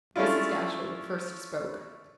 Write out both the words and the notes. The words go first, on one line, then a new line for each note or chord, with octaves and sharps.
Mrs. Dashwood first spoke.
A3 C#4 D4 E4 F4